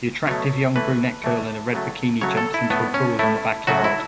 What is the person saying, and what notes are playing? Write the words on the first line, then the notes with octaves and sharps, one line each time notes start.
The attractive young brunette girl in a red bikini jumps into a pool in the backyard.
B2 F#3 A3 C#5
A2 E3 A3 B4
A2 E3 A3
C#3 F#3 A3
C#3 F#3 A3 C#5
A4
E4
A2 A3 B3
C#4
A2 A3 E4
C#3 F#3 A3 F#4
E4